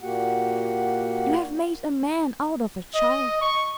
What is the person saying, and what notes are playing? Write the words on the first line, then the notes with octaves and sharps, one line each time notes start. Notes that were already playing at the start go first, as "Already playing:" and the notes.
You have made a man out of a child.
A#2 A#3 F#4 G4 F#5
D#5
C#6